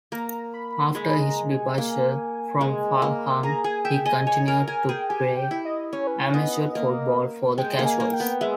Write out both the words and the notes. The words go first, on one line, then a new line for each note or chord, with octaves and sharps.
After his departure from Fulham, he continued to play amateur football for the Casuals.
A#3 A#5
B5
G#3 B5
A#5
G#5
A#3
G#3
A#3
G#4 A#5
G#4 G#5
E5 G5
D#5 G#5
C#5 G#5
A#4 G#5
A#4 G#5
G#4 G5
G4 G#5
G5
E4
D#5
C#4 C#5
B4
C#5
B3 D#5
A#3
G#3 G5
A#3
G#5
A#3
G5
B3
G#3 E5